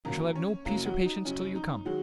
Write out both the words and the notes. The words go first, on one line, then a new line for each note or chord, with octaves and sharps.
I shall have no peace or patience till you come.
G#1 F#2 F#3 A#3 A#4
C#4 C#5
F#1 F#2 F#3 A#3 A#4
F#3 F#4
D#4
F#1 F#2 F#3 C#4
D#4
D#3 F#3 G#3 F#4